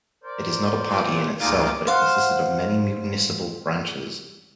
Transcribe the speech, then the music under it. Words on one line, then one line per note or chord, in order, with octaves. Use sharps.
It is not a party in itself but consisted of many municipal branches.
A#4 C5 D5
A#2
D2 G#2 A#3 F4 D6
C5 F5 F#5